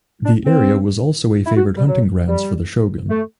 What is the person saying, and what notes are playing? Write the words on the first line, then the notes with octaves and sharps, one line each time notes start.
The area was also a favored hunting grounds for the Shogun.
D4
C4
E4
F#4
G3
F#3
G3
A3